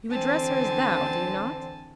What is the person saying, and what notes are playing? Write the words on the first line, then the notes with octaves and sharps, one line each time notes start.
"You address her as thou, do you not?"
D3 E3 C4 C5 G#5 A5